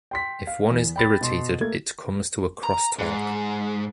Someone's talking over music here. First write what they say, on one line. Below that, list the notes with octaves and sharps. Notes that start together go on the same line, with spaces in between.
If one is irritated, it comes to a crosstalk.
G5 C6 B6
F5
E2
G5 B5 A6
B2 C6
A3 A#3 G#6
A#5
G#2